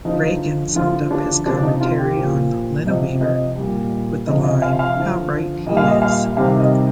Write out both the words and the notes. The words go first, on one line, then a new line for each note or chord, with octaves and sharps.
Reagan summed up his commentary on Linaweaver with the line, How right he is!
D3 F3 D#4
D3 F3 F4
D4
C3 F3 D4
D#4
F4
G4
A#2 F3
C3 F3 D#5
D#5
A#2 G3
C3 F3 D#5
D#5
F5
F5
D3 F3
A#2 G3 D#5
F5
D#5
F5
C3 D#3 G3 F5
D#5